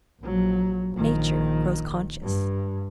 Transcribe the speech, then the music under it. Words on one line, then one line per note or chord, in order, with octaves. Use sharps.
Nature grows conscious.
A#1 F#3
A#1 D#3
G2